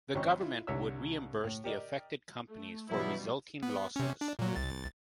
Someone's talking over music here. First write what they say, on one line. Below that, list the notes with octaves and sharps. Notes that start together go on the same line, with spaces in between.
The government would reimburse the affected companies for resulting losses.
G#1 C4 C#4 C#6
E4 F4
C2 D3 C#5 E5 E6
A2
G4 A#4 D5 D#5
A3
B2 E3 F#3 G3 B3 E4
B3
C3 C#4
D4
A#2 F#3
C2 A6